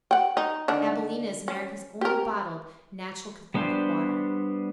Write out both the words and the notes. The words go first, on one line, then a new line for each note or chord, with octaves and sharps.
AbilenA is America's Only Bottled Natural Cathartic Water.
F#5 G5
D#4
D3 D#3 D4
C#4
G4 A#4
G3 B3 D4 C5 G5